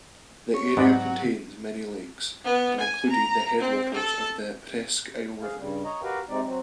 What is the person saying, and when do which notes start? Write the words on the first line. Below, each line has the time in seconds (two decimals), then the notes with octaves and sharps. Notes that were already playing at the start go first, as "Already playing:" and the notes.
The area contains many lakes, and included the headwaters of the Presque Isle River.
0.54 C#5
0.77 G#2 F#3 B3 D5
2.44 B3
2.80 G#5
3.09 A#5
3.60 C4
3.93 A4
5.40 G#4 F5
5.59 G2 C#3 G3
5.85 C#5 D#5 A#5
6.02 F#4 G4 A#4 B4 F5 G5
6.29 C3 G#3 C4 D#4 D5
6.45 F#3 C4